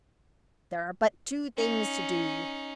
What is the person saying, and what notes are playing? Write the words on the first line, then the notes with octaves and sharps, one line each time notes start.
There are but two things to do.
C#4 D#4